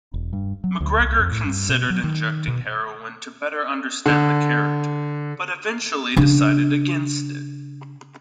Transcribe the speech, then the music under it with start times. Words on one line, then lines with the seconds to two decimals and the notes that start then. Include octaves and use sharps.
McGregor considered injecting heroin to better understand the character, but eventually decided against it.
0.14 E1
0.33 G2
0.64 F#3
0.81 D2
1.00 C2
1.19 F2
1.31 A2
1.45 G2
1.69 B2
1.90 F#3
2.04 D#3
2.48 B2
4.06 D3
6.16 C#3 D4